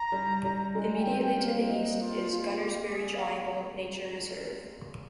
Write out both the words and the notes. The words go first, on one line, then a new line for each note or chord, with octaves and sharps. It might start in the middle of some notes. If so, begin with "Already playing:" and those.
Immediately to the east is Gunnersbury Triangle nature reserve.
Already playing: A#5
G3
G3
G#3
G#5
G5
C4
G5
A#3
F5
D#5
F4
F4
G4
G4
G#4
F5